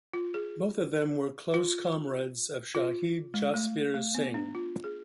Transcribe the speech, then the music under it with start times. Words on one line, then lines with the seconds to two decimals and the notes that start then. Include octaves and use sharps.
Both of them were close comrades of Shaheed Jasbir Singh.
0.13 F4
0.34 G#4
1.54 F4
2.75 F4
3.34 G#3
3.54 A3
3.94 A3
4.15 B3
4.34 D4
4.55 F4
4.84 G#4